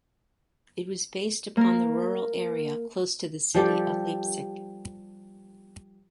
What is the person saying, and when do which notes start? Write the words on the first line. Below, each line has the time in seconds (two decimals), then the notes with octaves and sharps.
It was based upon the rural area close to the city of Leipzig.
1.57 A#3 A#4
3.54 F3 G3 G4 A4